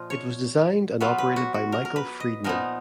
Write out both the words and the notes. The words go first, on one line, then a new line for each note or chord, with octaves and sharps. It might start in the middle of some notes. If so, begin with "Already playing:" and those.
It was designed and operated by Michael Freedman.
Already playing: A#2 F3 F4 D#5
C#5
F#3 B3 F4 B4
B4
F#4
F#4
A#4
A#4
B4
D#5
A#2 F3 B3 D#4 A#4